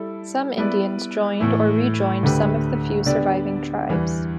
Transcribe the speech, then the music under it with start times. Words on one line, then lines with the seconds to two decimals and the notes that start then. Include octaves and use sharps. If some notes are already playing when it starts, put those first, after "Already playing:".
Some Indians joined or re-joined some of the few surviving tribes.
Already playing: G3 E4 A4
0.57 G3 B3 E4 B4 D5
1.40 A2 E3 A3 E4
2.23 D2 D3 A3 G4 B4
3.06 D3 B3 D4 G4 D5
3.90 E2 E3 G3